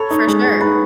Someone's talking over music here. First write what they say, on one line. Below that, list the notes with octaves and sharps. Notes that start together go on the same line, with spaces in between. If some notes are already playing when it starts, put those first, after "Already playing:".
For sure.
Already playing: A4 B4 C#5
D#4
G#3
G#3
D#4 B4